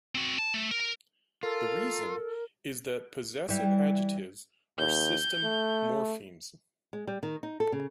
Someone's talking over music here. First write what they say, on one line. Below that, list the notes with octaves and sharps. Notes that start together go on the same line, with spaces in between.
The reason is that possessive adjectives are system morphemes.
C4 F#4
A5
A3
A#4
F4 A4 A#4
E3 G3
D#2 G6
A3
G#3
G3
D#3
D#4
A4
C#3